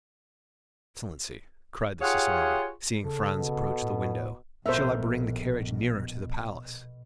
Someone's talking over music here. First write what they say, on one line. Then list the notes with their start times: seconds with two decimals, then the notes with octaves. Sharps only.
"Excellency," cried the cicerone, seeing Franz approach the window, "shall I bring the carriage nearer to the palace?"
2.02 F4 G4 G#4 C#5 F5 F#5
3.04 C#3 A4
3.38 B2
3.82 A2
4.66 A#1 B2 A4 A#4 C5 E5